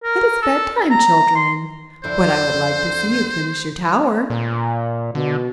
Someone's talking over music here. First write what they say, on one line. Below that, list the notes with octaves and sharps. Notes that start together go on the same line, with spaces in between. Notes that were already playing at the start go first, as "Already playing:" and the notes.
"It is bed-time, children, but I would like to see you finish your tower."
A#4
A4
A#5
C6
F2 D3 E4 C5
A#2
B2 D3